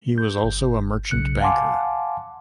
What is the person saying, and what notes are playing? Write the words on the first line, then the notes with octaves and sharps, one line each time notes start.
He was also a merchant banker.
G6
G1
B1 C#3 F#6 C#7
F5 F#5 G#5 A5 C6 D6